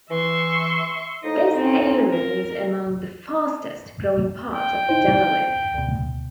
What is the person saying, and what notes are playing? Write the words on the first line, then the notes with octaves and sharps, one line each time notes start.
This area is among the fastest growing parts of Delaware.
E3 E5 C6 C#6
A2 F3 D#4 D#5
C4 C#4
A#4
G5
D#4 E4 C5
D2 B2